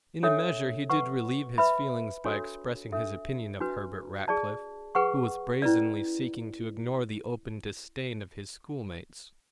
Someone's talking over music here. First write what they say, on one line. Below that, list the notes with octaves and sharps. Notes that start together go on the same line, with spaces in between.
In a measure he did relieve his feelings by expressing his opinion of Herbert Rackliff, who was brazenly seeking to ignore the open disdain of his schoolmates.
D4 A4 C#5 E5
B4 F#5 C#6
B4 E5 B5
D4 F#4 A4 C#5
D4 A4 E5
D4 F#4 B4
G#4 D5 A5
G#4 B4 F#5 C#6
C#4 E4 B4 D5